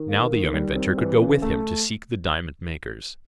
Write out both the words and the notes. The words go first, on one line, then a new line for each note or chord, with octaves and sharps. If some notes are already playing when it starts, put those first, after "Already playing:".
Now the young inventor could go with him to seek the diamond makers.
Already playing: D#3
A#3
D#3
G3
C4
E3
C#3
A3